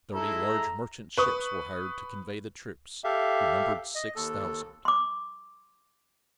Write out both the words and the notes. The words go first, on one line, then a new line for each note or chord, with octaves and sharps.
Thirty large merchant ships were hired to convey the troops, who numbered six thousand.
G#3 E4 A4 A#5
B4 C#6 D#6
G4 A4 E5 F5
D#5
D#2 A4
C6 D6